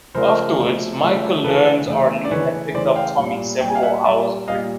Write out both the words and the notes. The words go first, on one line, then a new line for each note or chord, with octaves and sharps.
Afterwards, Michael learns Arlene had picked up Tommy several hours earlier.
C#3 F3 A3 A#4 C5
C#3 F3 A3
C#3 F3 A3
C#3 E3 A3 A4 B4
C#3 E3 A3
D5
C#3 E3 A3 B4 C#5
C#3 E3 A3 C5 D5
F5 G5
A#2 G3
A#2 G3 G5
G#5
F5 G5
E5 F#5
A#2 G3 D5 E5
A#2 G3 D#5 F5